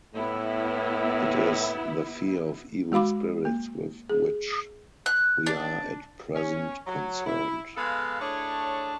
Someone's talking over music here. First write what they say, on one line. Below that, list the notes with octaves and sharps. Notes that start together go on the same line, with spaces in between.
It is the fear of evil spirits with which we are at present concerned.
A2 B3 E4
G#3 F#4 F5 B5 D6
A#3
G#4
F#6
D4
C#4
F#3
E4
G#3 B3 G#4 A4 F5
A3 D4 E4 G#4 C#5